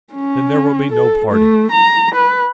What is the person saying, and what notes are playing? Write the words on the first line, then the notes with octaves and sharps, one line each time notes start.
"Then there will be no parting."
C#4
A4
A3
A#5
B4